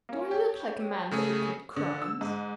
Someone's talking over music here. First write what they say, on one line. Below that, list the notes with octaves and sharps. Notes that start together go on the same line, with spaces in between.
"Do I look like a man that would commit crimes?"
A#3 C#4
G4 C#5
C#3 A3 G#4
D3
E6
G#2